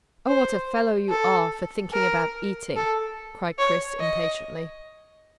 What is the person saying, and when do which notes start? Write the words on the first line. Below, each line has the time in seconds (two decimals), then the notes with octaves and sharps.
"Oh, what a fellow you are for thinking about eating!" cried Chris impatiently.
0.27 C5
1.09 A4
1.93 A#4
2.76 A4
3.58 C#5
4.00 D#5